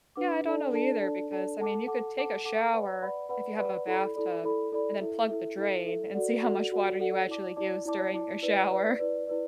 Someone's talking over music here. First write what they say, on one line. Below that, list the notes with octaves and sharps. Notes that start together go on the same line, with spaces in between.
Yeah, I don't know either, because I mean, you could take a shower if you have a bathtub, and then plug the drain, and see how much water you actually use during your shower.
D4 B4 F#5 D6
D4 A4 D5 A5
D4 A4 D5 A5
D4 A4 D5 A5
D4 A4 D5 A5
A4 F#5 A5 D6
A4 F#5 A5 D6
A4 F#5 A5 D6
A4 F#5 A5 D6
B4 D5 F#5 B5
B4 D5 F#5 B5
B4 D5 F#5 B5
B4 D5 F#5 B5
E4 A4 D5 B5
E4 A4 D5 B5
E4 A4 D5 B5
E4 A4 D5 B5
E4 A4 E5
E4 A4 E5
E4 A4 E5
E4 A4 E5
F#4 A4 D5 F#5
F#4 A4 D5 F#5
F#4 A4 D5 F#5
F#4 A4 D5 F#5
E4 D5 A5 D6
E4 D5 A5 D6
E4 D5 A5 D6
E4 D5 A5 D6
E4 B4 D5
E4 B4 D5
E4 B4 D5
E4 B4 D5